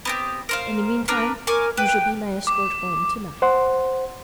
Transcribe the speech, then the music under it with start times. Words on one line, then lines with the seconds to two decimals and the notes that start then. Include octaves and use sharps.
In the meantime, you shall be my escort home to-night.
0.05 B3 C4 G4
0.49 A#4 C5 F5
1.08 D4 A#4 B4
1.47 A#4 G#5 C#6 D6
1.77 B4 G5
2.47 D6
3.42 C5 F#5 C6